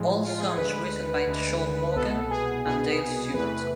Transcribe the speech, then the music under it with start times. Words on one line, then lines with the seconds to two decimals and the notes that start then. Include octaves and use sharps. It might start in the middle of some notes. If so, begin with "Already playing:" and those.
All songs written by Shaun Morgan and Dale Stewart.
Already playing: A2 F3 G#3
0.23 F4
0.40 G#4
0.57 D2 D3 G#3 B4
1.27 D2 D3 G#3
1.95 C2 B2 B3 A4
2.30 G#4
2.65 C2 B2 B3 G#4
3.34 E2 C3 E3 A3 B4